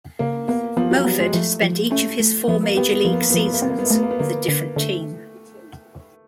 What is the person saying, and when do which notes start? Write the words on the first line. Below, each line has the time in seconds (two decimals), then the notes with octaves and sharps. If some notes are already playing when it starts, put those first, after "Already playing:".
Moford spent each of his four major league seasons with a different team.
0.19 C#3 A#3
0.48 A#3 B3
0.77 F3 B3
0.91 F#3
1.05 G3 B3
1.20 G#3
1.34 F3 A3
1.62 F3
1.91 A3 C#4
2.20 A3
2.48 F3 B3
2.63 A#3
2.77 B3 G4
2.92 B3
3.05 F3 A#3
3.13 B3
3.21 A#3
3.30 B3
3.34 F3 A#3
3.47 B3
3.54 A#3
3.62 B3 C4
3.70 A#3
3.79 B3
3.86 A#3
3.90 A3 B3
4.03 A#3
4.11 B3
4.19 D3 A#3
4.48 D3
4.76 D3 A3